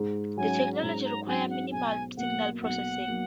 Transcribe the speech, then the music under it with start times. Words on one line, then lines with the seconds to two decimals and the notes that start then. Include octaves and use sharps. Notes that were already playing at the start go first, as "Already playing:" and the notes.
The technology requires minimal signal processing.
Already playing: G#2
0.37 F#3 C#4 G#5
0.82 G#2 A#5
1.05 A#5
1.27 F#3 C#4 G#5
1.50 F#5
1.72 B1 G#5
2.17 B2 F#3 A#3 F#5
2.62 B1 F#5
3.08 F#3 A#3